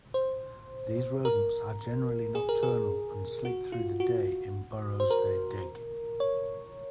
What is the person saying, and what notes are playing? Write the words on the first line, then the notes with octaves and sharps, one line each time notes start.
These rodents are generally nocturnal and sleep through the day in burrows they dig.
C5
A#4
G#4
A#4
G#4
F#4
F4
F#4
C5
A#4
C#5